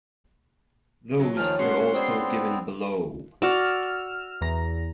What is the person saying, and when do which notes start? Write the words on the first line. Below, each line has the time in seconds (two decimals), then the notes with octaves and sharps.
Those are also given below.
1.20 F#3
1.37 D#2 D#3 F3 C#5 G#5 A5 F6
1.59 G#3 C#4 F#4 F#5 C6
1.94 B3 C4 C5 D5
3.42 F#4 D5 E6 F6
4.41 E2 A#5